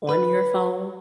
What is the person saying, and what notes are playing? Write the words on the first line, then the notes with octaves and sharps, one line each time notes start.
on your phone,
B4